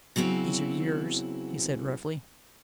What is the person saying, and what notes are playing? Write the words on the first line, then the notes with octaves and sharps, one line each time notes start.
"These are yours?" he said roughly.
C#3 F#3 B3 C4 E4